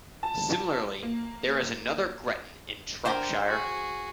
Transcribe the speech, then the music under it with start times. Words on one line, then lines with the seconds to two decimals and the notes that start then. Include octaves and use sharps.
Similarly there is another Gretton in Shropshire.
0.23 A5
1.03 A#3
3.05 D4 A#4 C5 G5 G#5
3.45 F#4 G#4